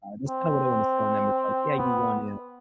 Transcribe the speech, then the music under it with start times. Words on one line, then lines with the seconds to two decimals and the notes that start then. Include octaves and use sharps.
uh, that's kind of what I wanna instill in them. It's, like, yeah, you wanna,
0.29 C4
1.77 B3